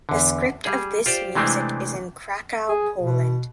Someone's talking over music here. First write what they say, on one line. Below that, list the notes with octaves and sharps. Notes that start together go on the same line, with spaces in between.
The script of this music is in Krakow, Poland.
E2 D3
G3 G#4
F4 G4 C5 D5
C3 E3 G#3 A3 C4 D4
G#4
B2